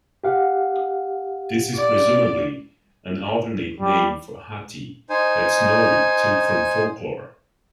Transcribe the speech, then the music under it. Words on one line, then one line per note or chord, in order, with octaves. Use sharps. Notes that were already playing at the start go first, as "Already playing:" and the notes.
This is presumably an alternate name for Hati that Snorri took from folklore.
G4 F5 F#5
D5
G3
D#4 C5 G#5